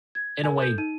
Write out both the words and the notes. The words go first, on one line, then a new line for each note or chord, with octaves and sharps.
in a way,
G#6
A#4 G#5
A4 G6
D#4 D#7